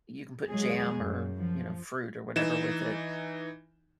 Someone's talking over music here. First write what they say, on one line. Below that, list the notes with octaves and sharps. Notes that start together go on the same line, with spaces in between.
you can put jam or, you know, fruit or whatever with it,
F#3 G#3 G#4
F#2
F3
E3 D#4 E7